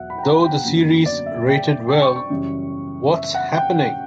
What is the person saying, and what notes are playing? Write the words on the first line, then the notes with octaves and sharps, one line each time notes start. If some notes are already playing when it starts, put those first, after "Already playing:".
Though the series rated well, What's Happening!!
Already playing: E2 B2 F#3 E5 F#5
B5
G5
A#5
G5
F#2 D3 F#3 A#3
D5
E5
G5
G5
C#6
C#6
F#2 C#3 E3 G3
E5
F#5
G5
G5